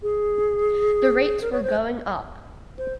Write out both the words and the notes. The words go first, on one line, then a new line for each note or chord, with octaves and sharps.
The rates were going up.
G#4
A#4
C#5
C5
C5